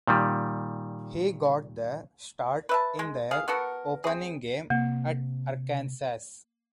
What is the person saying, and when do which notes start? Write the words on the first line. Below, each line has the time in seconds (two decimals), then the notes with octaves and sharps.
He got the start in their opening game at Arkansas.
0.07 A#2 D#3 G3
2.69 B4 E5 A5
2.99 G#3
3.31 G#4 F5
3.48 B3 F#4 A4 A#4
4.04 C4 G#4
4.70 C3 A#3